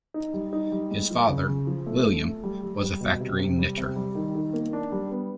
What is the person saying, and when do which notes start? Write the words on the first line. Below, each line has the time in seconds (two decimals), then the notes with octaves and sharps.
His father, William, was a factory knitter.
0.14 D#4
0.34 G3
0.53 D#4
0.72 G3
0.91 G#3
1.10 F3
1.29 C#3
1.48 C#3
1.67 F3
1.87 A3
2.05 A3
2.25 A3
2.43 G3
2.63 G3
2.82 G3
3.01 B2
3.20 C3
3.39 C3
3.59 G3
3.77 C3
3.96 G3
4.15 D#3
4.35 D#3
4.54 A#3
4.73 D4
4.92 G3
5.11 B3